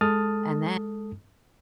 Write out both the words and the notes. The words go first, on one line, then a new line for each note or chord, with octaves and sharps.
and then
G#3 A4 A5 D#6 F6 A6